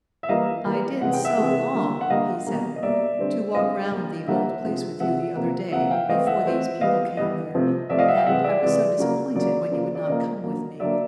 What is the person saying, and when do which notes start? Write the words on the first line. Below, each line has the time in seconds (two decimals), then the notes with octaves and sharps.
"I did so long," he said, "to walk round the old place with you the other day before these people came there, and I was so disappointed when you would not come with me."
0.23 E5
0.29 E3 G3 A#3 D#5 F5
0.65 E3 G3 A#3
1.01 C3 E3 G#3 F#5
1.13 G5
1.25 E5 F#5
1.37 C3 E3 G#3
1.74 D3 G3 A#3
2.01 F#5
2.10 D3 G3 A#3 D#5 F5
2.47 B2 G3 A#3
2.76 D#5
2.83 B2 G3 A#3 D5 E5
3.19 D3 G3 C4
3.55 D3 G3 C4 D#5 F5
3.91 D3 G3 A#3
4.27 D3 G3 A#3 E5 F#5
4.64 C3 F3 G#3
5.00 C3 F3 G#3 E5 F#5
5.36 C3 F3 A#3
5.72 C3 F3 A#3 E5 F#5
5.91 F5 G5
6.09 E3 A3 C4 D#5 F5
6.27 E5 F#5
6.45 E3 A3 C4
6.81 E3 G3 B3 D#5 F5
7.17 E3 G3 B3 D#5
7.54 C3 F3 A3
7.89 C3 F3 A3 D5 E5
7.99 D#5 F5
8.08 E5 F#5
8.17 F5 G5
8.26 C3 E3 G#3 E5 F#5
8.44 D5 E5
8.62 C3 E3 G#3 D5
8.99 C#3 F#3 A#3
9.35 C#3 F#3 A#3 D5
9.71 C#3 F3 A#3
9.95 D5
10.07 C#3 F3 A#3 D#5
10.44 D3 F#3 A#3
10.80 D3 F#3 A#3 D5 E5